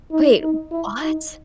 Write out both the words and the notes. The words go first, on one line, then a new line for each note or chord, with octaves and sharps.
Wait. What?
D#4
D#4
E4
D#4